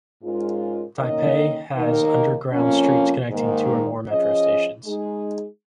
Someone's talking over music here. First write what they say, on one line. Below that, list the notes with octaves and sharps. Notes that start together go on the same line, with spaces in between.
Taipei has underground streets connecting two or more metro stations.
G#2 G#3 C#4 F4 A#4
D#3 A#3 C#4 A#4 D#5
D#2 D#3 A#3 D#4 A#4
F2 F3 A#3 C#4
G#2 D#3 A#3
F3 C#4 G#4 D#5
G#3 D#4 G#4